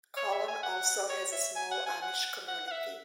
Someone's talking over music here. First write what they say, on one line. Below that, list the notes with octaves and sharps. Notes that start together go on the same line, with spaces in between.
Colon also has a small Amish community.
C#5
E5
G#5
F#5
C#5
E5
G#5
F#5
G#5
F#5
F#5
F#5
E5